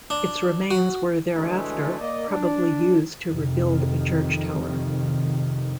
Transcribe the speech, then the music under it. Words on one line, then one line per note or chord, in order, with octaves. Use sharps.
Its remains were thereafter probably used to rebuild a church tower.
D4
F#4
D3 E3 F#3 G#3 A3
A#3 D5 D#5
D4
F2 C3 D#3